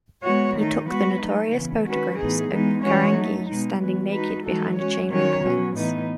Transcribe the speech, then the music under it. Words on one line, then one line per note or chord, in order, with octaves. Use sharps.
He took the notorious photographs of Carangi standing naked behind a chain-link fence.
G#3 B3 F#4 C#5
D#3 A3 D#4
G#3 B3 F#4 B4
F#3 A3 D#4
C#3 E3 B3
D#3 G#3 C#4 F#4 B4
A2 E3 B3 D#4 G#4
E3 G#3 B3 D#4
E3 G#3 C#4 F#4 C#5
F#3 A3 D#4
B2 G#3 D#4
E3 G#3 B3 F#4
G#3 D#4 F#4 B4
E3 G#3 D#4 F#4 A4
G#3 C#4 F#4 C#5
D#3 F#3 C#4 F#4 C#5
B2 F#3 C#4 F#4
A2 E3 B3 D#4